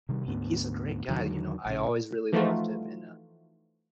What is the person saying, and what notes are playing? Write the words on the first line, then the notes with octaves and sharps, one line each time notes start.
he he's a great guy, you know, I always really loved him in, uh,
C3 D#3 G3
D2 G#2 B3
E2 D3 D#3 F#3
A#1 C#3
E3 F3 A3 D#4 F4 F#4